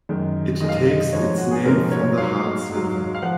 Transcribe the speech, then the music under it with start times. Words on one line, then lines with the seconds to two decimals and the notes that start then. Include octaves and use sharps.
It takes its name from the Harts River.
0.09 F#2 D#3 G#3
0.60 F#2 D#3 G#3 D#5
0.69 F5
0.77 D#5
1.13 G#2 F3 G#3 C#5
1.37 F#4
1.51 G#4
1.65 G#2 F3 G#3 A#4
1.91 C#5
2.17 G#2 F#3 F5
2.70 G#2 F#3
3.15 F5
3.22 F3 F#5